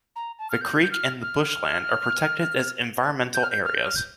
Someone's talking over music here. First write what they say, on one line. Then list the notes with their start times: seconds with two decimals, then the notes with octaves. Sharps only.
The creek and the bushland are protected as environmental areas.
0.15 A#5
0.38 A5
0.50 F6
0.61 G6
0.82 G6
0.91 F6
1.21 F6
3.34 G6
3.43 F6
3.50 G6
3.65 F6
3.74 G6
3.85 F6
3.95 G6